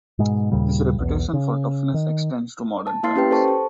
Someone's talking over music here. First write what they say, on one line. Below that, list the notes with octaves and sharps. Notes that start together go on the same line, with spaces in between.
This reputation for toughness extends to modern times.
G#2 B2 G#3
D#2 A#2 C#3 G3
B1 E2
C#3
D#3
A5
A#3 E4 F5 C6 A6 C7
C#4 G4 B4 G5
A4 C5 A5 C#6
A5